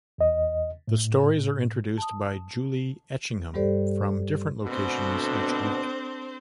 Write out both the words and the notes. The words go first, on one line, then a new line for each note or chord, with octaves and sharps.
The stories are introduced by Julie Etchingham from different locations each week.
E2 D#5
A2
A5 D#6
G2 G3 G4 A4 C5 D5
D2 B2 C4 D4 A4 C5